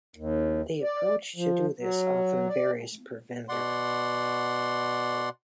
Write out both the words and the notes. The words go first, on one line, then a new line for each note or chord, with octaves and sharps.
The approach to do this often varies per vendor.
D#2
D5
F3
F#3
D5
B2 D5 F#5 C6